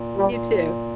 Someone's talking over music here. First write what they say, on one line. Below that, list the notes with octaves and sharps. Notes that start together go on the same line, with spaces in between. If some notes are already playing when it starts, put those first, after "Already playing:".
You too.
Already playing: A#2
G3
A#2